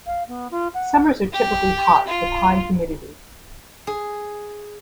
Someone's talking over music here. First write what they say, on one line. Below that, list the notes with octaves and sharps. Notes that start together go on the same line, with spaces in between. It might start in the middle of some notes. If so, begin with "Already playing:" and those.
Summers are typically hot with high humidity.
F5
B3
F4
F#5
G4
F4
G#4